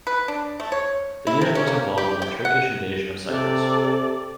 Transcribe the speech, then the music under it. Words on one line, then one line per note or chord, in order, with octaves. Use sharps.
The unit was involved in the Turkish invasion of Cyprus.
B4
D4
A3
C#5
E4
C3
C#4
A#3
G4
G5
F#5
C3 A4 D5